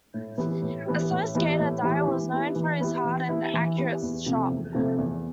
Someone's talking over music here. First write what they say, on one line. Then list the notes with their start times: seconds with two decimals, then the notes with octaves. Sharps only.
A slow skater, Dye was known for his hard and accurate shot.
0.14 A2
0.37 E3 B3 E4 G4
0.62 A2
0.86 E3 B3 E4 G4
1.10 A2
1.35 E3 B3 E4 G4
1.59 A2
1.82 E3 B3 E4 G4
2.07 E3
2.32 B3 E4 G4
2.55 E3
2.80 B3 E4 G4
3.04 E3
3.28 B3 E4 G4
3.53 E3
3.77 B3 E4 G4
4.02 E2
4.26 C3 F3 A3
4.51 E2
4.74 C3 F3 A3
4.98 E2